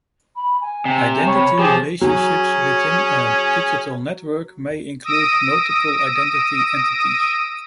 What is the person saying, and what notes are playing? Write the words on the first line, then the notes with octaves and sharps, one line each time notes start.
Identity relationships within a digital network may include multiple identity entities.
B5
G#5
C3
C#5 B5
F3 C#4 G4 G#4
F#3 C#4 G#4
D#6 E6 A#6 D7 D#7